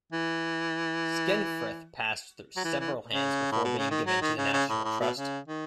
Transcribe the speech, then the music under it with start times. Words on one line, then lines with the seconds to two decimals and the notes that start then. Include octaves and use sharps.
Skenfrith passed through several hands before being given to the National Trust.
0.12 E3
2.57 F#3
2.65 E3
2.80 E3
3.11 C#3
3.52 A2
3.65 B2
3.78 C#3
3.91 D#3
4.06 F#3
4.22 D#3
4.38 C#3
4.53 C#3
4.69 A2
4.85 A2
5.00 B2
5.17 C#3
5.48 D#3